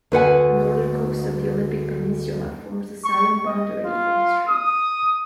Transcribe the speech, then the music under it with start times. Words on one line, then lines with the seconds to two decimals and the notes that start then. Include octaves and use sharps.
The northern coast of the Olympic Peninsula forms the southern boundary of the strait.
0.12 D2 B4 F#5 G#5
3.04 C#6
3.46 D#5
3.85 F4
4.48 D#6